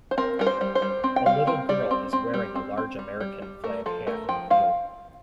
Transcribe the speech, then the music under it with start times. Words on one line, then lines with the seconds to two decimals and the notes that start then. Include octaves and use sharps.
A little girl is wearing a large American flag hat in a field.
0.11 C5
0.18 C4 A#4
0.39 G3 A#4
0.46 C5
0.61 G3
0.75 C5
0.82 G3
1.04 C4
1.16 G5
1.26 G3 F5
1.47 C4 A#4
1.69 G3 D5
1.91 C4
2.13 C4
2.34 G3
2.55 C4
2.77 C4
2.99 G3
3.20 G3
3.42 G3
3.64 A3 A#4
3.86 F3 A4
4.07 A3 A#4
4.29 F3 G5
4.50 F3 F5